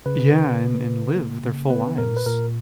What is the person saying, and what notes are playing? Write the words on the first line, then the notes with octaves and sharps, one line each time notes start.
Yeah, and and live their full lives.
C#3 B4
C#3
C#3
C#3
A#3
C#3
B3 B4
A#2 A#4
B4
A#2 A#4